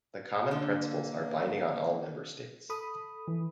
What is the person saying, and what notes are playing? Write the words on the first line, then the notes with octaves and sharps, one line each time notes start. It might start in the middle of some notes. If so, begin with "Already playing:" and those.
The common principles are binding on all Member States.
D3 A#3
A4 B5 D#6
E3